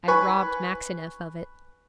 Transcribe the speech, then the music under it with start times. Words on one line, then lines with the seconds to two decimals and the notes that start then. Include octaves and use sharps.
I robbed Maxineff of it.
0.08 B4 G#5 B5 C#6